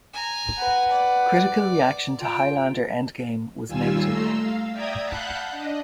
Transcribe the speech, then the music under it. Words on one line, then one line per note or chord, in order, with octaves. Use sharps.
Critical reaction to "Highlander: Endgame" was negative.
G#5 A#5
B4 F#5
D5
F4 G5
D#2 G3 F4 G#5 E6
A3 A#5 C6 E6
F5
D5 E5 G5 A#5 D#6 G#6
F5 F#5 A5 B5 F#6 G6
D4 D#5